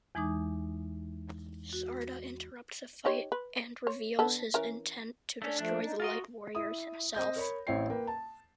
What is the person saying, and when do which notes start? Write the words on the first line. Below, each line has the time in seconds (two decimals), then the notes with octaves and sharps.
Sarda interrupts the fight and reveals his intent to destroy the Light Warriors himself.
0.15 E2 E3 G#3 D#4 D6 D#6
1.73 F#4
3.05 D#4 G4 C#5
3.32 B4
3.87 C#5
4.19 D3 B3 A4
4.54 E3 C#4 A#4
5.42 A3 C#4 D4
5.59 F3 A3 D4
5.84 D#4
6.00 F4 F#4 A#4 D#5
6.55 E4 D#6
7.15 C4 D#5 G6
7.36 A#4 C#5 B5
7.67 A1 C4 E4 C#5 G5 C7
7.90 A#3 B4 G5
8.07 A5